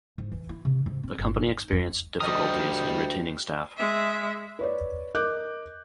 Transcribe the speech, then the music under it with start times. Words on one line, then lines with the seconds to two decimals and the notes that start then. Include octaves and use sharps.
The company experienced difficulties in retaining staff.
0.18 G#2
0.32 E3
0.49 E4
0.65 C3
0.86 G#2
1.03 C4
1.19 G1
1.47 D#4
1.72 F2
2.20 D2 G#2 F3 G3 A#4 D#5 G5 D#6
3.77 G#3 E5
4.59 B4 C#5 D5
5.15 A#4 D#5 D6 F#6 G6